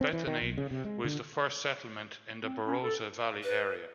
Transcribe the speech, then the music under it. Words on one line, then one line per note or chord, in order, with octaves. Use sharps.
Bethany was the first settlement in the Barossa Valley area.
C4
E3
D#3
B1
C#3
C3
G#3
D3
C4
C#4
A4
B4